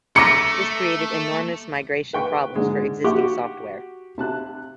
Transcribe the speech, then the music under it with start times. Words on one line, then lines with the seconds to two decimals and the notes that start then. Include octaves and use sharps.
This created enormous migration problems for existing software.
0.16 A3 A#5 D6 A#6 C#7
2.13 B4 G5 C#6
2.55 G#2 D3 G#3
3.04 F#4 G4 F#5 C#6 D6
4.18 C3 A5 F#6